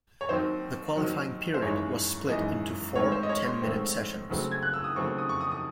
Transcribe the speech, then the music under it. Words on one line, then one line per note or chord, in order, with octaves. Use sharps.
The qualifying period was split into four, ten-minute sessions.
C#5
D#2 D#3 F#3 C4 D#4 C5
D#2 D#3 F#3 C4 D#4
C5
G#1 F#2 E3 G#3 D#4 C#5
G#1 F#2 E3 G#3 D#4 D#5
G#2 D#3 A3 C4 C#5
C5
D#5
C#5
C6
G#2 D#3 A3 C4
D#2 C#3 F#3 A3 C4
G#6
F#6
E6
D#6
D#2 C#3 F#3 A3 C4 C#6
D#6
C#6
D#6
D#6